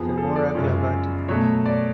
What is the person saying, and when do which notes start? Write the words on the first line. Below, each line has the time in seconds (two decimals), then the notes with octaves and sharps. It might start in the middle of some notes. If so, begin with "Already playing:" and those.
Femora clavate.
Already playing: F2 F3 B3 G#4
0.13 G#4
0.18 A4
0.36 D5
0.55 F#2 C#3 G#3 C#4 F4
1.28 B2 F#3 A3 C#5
1.66 D5